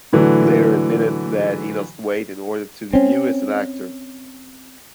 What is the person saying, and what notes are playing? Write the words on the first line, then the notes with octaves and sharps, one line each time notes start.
He later admitted that he lost weight in order to debut as an actor.
A2 D3 E3 F#3
C4 C#4